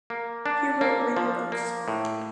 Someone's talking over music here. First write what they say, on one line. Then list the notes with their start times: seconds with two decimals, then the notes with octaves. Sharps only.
He wrote many books.
0.10 A#3
0.46 D4
0.81 A#3
1.17 F3
1.52 A#3
1.88 A2